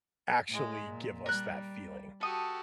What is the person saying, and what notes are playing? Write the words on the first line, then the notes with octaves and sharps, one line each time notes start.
actually give us that feeling.
A2 G#3
A#2
G3 A#4 F#6
F#4 G4 A4 D#6